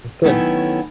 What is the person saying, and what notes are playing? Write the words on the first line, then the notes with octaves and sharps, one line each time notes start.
That's good.
D#3 F#3 A3 B3 C#4 E4